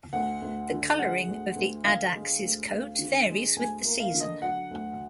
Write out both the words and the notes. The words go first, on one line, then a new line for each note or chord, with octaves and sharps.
The coloring of the addax's coat varies with the season.
D2 F#5
D2
D3
G#3 F#5
D2
D2
D3 F5
G#3
D2
D2
D3
G#3
D2 G#5
A#3
F5
D3
D#5
F#3 F#5
D2